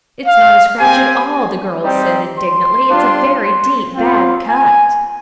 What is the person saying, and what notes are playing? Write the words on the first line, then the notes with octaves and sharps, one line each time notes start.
"It's not a scratch at all," the girl said, indignantly; "it's a very deep bad cut."
F5
C4 G4 G#5
G3 C4 D#4 G4
C6
G3 D4 F4
C4 F4
G#5